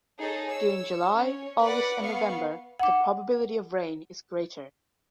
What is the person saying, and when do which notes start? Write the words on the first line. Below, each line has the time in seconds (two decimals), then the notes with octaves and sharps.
During July, August and November the probability of rain is greater.
0.19 D#4 G#4 A4 C#5
0.49 C#5 E6
1.12 C#4 C#5
1.62 B4 D5 F#5
2.03 B3 F5 C#6
2.79 F#5 D6